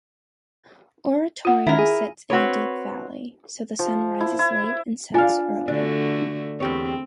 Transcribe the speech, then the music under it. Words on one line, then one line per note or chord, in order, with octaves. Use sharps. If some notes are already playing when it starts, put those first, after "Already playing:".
Oratorio sits in a deep valley, so the sun rises late and sets early.
F4 F#5
D#3 C#4 E4 A#4
G#4
C4 F#4 B4 C#5
F3
E4
E4
D4 F4 F5 G#5
D3 A3 D4 F#4
E2 C4 G4 C#5